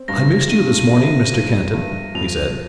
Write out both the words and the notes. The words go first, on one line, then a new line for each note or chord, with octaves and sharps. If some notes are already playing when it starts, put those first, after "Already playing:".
"I missed you this morning, Mr. Kenton," he said.
Already playing: C4
G2 A#6
A#6
D#4 D#7
D#7
C3
D#7
G2
G2
F2 F7
F7